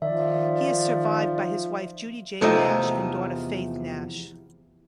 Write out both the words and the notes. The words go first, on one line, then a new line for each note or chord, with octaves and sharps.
He is survived by his wife, Judy Jae' Nash and daughter Phaith Nash.
D#3 F3 D5 E5
E2 C3 F3 A3 D#4 D#5